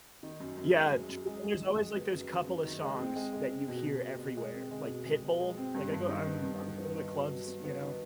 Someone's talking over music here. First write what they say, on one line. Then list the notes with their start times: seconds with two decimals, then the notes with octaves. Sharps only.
Yeah, true and there's always, like, those couple of songs that you hear everywhere, like Pitbull. Like, I go I'm I'm going to the clubs, you know,
0.23 D#3
0.40 F#2
0.57 F#2
0.75 G#3
0.92 F#2
1.09 F#2
1.27 G#3
1.44 G#3
1.61 D#3
1.78 G#3
1.95 B3
2.12 F#2
2.30 F#2
2.47 F#2
2.64 D#3
2.81 G#3
2.99 C4
3.16 G#3
3.33 G#3
3.50 C4
3.68 B2
3.85 B2
4.02 B2
4.19 B2
4.37 G#3
4.54 C4
4.71 G#3
4.89 B2
5.06 G#3
5.23 B2
5.40 G#3
5.58 C4
5.74 G2
5.92 G2
6.09 D#3
6.26 B3
6.43 G2
6.61 B3
6.78 B3
6.95 D#3
7.12 F#3
7.29 F#3
7.47 B3
7.64 B3
7.81 D#3